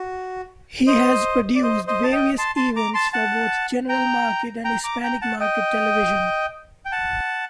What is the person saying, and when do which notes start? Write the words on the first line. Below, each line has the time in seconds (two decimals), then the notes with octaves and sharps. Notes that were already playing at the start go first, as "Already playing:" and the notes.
He has produced various events for both general market and Hispanic market television.
Already playing: F#4
0.87 C5 D#5
1.55 D5
1.63 C5 D#5
1.87 C5 D#5
2.04 A5
2.12 D#5 G5
2.38 A5 C6
2.56 A5 C6
2.76 A#5 D6
2.94 A5 C6
3.13 F#5 A5
3.89 G5 A#5
4.64 G5 A#5
4.83 A#5 D6
5.03 G5 A#5
5.21 F#5 A5
5.40 D#5 G5
6.85 G5
6.92 F#5 A5